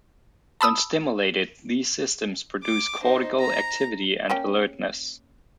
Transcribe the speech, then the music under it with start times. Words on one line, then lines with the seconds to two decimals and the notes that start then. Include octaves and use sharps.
When stimulated, these systems produce cortical activity and alertness.
0.61 A5 B5 D#6 E6
2.63 D6
3.02 D#4 C5
3.39 A#5
4.30 A#3 C#4 G5